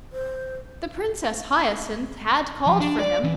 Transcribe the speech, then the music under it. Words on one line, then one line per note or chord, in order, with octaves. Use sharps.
The Princess Hyacinth had called for him.
C5
F3
D4
D5
E3